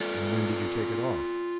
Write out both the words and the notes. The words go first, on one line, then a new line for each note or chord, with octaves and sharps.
"And when did you take it off?"
F4 A4 D5